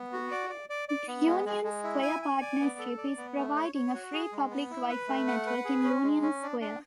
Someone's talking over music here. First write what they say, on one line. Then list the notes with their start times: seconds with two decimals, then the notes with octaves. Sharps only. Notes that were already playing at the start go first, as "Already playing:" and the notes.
The Union Square Partnership is providing a free public Wi-Fi network in Union Square.
Already playing: B3
0.13 F#4
0.31 D5
0.50 D5
0.70 D5
0.89 D5
1.08 B3
1.27 G#3
1.45 G#3
1.64 G#3
1.84 E4
2.02 G#5
2.22 G#5
2.41 D5
2.60 B3
2.79 A4
2.98 D5
3.17 B3
3.37 A3
3.56 C#5
3.75 C#5
3.94 F#4
4.13 G#4
4.32 G#3
4.51 B3
4.71 E4
4.89 B4
5.08 A3
5.27 F#5
5.46 B4
5.65 G#4
5.84 C#4
6.04 G#3
6.23 C#4
6.42 D4
6.61 D4